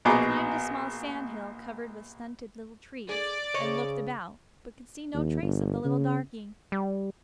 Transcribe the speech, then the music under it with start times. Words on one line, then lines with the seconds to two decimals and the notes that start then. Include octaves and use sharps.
She climbed a small sand-hill covered with stunted little trees and looked about, but could see no trace of the little darky.
0.05 A#1 B2 G#4 A#5 D6
3.09 G#4 D5
3.54 C#3 C5 C#5 D#5
5.14 D#2
5.42 G1
5.84 C#3
6.72 G3